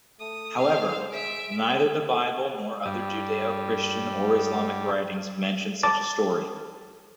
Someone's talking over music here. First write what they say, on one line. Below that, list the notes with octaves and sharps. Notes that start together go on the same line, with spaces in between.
However, neither the Bible nor other Judeo-Christian or Islamic writings mention such a story.
A3 D#6
G#3 C5 F5
E5 D7
G2 G3
A5 D6 A6